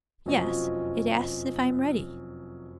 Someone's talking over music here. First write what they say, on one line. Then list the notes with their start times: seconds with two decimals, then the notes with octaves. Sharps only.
"Yes; it asks if I am ready."
0.26 F1 F#2 F3 C4 C#4 D#5